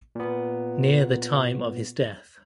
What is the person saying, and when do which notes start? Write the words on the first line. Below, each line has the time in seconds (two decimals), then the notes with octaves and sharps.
Near the time of his death.
0.15 A#2 B3